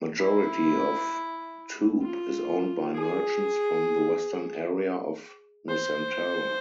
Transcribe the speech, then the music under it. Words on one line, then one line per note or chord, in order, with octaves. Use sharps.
Majority of toop is owned by merchants from the western area of Nusantara.
E4
F4
G#4
C5